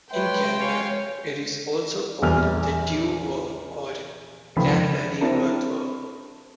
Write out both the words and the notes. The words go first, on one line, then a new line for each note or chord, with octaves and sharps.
In Canada, it is also called the dew worm, or "Grandaddy Earthworm".
G#3 B4 C#5 E5 G5 C6
C#5 F5 G#5 C#6
A#1 E2 G3 F6
C#2 D#3 F3 A3 B5
C4 D4 E4 A#4 A5 A#5